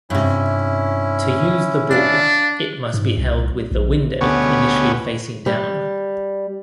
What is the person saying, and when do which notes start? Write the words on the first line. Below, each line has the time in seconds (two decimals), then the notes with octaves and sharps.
To use the ball, it must be held with the window initially facing down.
0.10 G2 C3 C#4 E4
1.91 D4 D5 F5
2.94 G#2
3.17 C2
3.71 A#1
4.21 D2 B2 B3 C#4 G4 C#5
5.46 G3